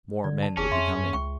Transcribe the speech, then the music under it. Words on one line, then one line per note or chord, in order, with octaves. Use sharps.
More men would be coming.
D3 D5
A5
F#1 C#4 G#4 A5
F2 E5 C6
F#2
C#2 G5 C#6